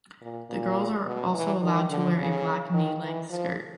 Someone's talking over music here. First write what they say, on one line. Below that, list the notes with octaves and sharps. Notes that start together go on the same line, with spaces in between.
The girls are also allowed to wear a black knee length skirt.
A#2
A#2
B2
E3
D#3
D3
C#3
D#3
E3
F3